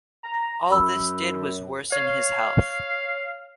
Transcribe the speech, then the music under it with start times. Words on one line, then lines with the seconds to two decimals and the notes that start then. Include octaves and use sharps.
All this did was worsen his health.
0.24 A#5
0.71 F#2 B5 E6
1.92 C#5 F5